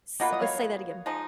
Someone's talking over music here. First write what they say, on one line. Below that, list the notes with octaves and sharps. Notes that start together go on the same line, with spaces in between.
S Oh, say that again.
B2 A#3 F4 B4 D#5 F#5
D#5
C#5 F5
F3 G#3 D#4